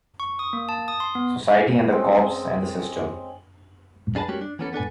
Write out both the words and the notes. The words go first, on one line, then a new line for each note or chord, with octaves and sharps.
Society, and the cops, and the system!
C#6
D#6
A#3
A5
D#6
C6
B3
G#3 C4 C#4
F#2 D4 G#4 B4 A5
G3 A3 A#3 C#4 F#4 G4
D4
E3 A#3 B3 C#4 F#4 A4
B3 D4 A4 G#5